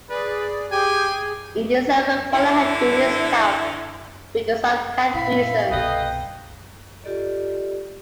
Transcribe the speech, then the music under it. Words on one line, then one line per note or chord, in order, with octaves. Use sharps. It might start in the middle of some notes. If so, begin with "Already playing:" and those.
In December Korihait release Taft, because of health reasons.
G#4 B4 D5
G4 G#4 G5 G#5
D3 E4
A#2 E4 F5 B5
C2 B2 A4 B4 D#5 G5
F4 G4 A4 D5 D#5